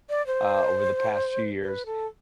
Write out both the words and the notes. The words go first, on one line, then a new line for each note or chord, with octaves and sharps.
uh, over the past few years,
D5
C5
B4
A4